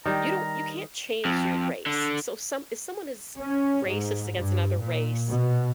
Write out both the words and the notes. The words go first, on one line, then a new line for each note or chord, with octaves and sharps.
you don't you can't change your race, so, some if someone is racist against another race,
D#3 G3 A#5
F2
D3
C#4
G#2
G2
A#2
B2